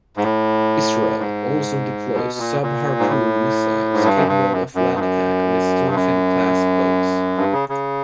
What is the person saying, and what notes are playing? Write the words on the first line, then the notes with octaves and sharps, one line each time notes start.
Israel also deploys sub-Harpoon missiles capable of land attack on its Dolphin class boats.
G#2
A2
G#2
B2
A#2
A#2
G#2
A2
G#2
G2
F#2
G2
F#2
F#2
G2
F#2
G2
F#2
G2
C#3
C#3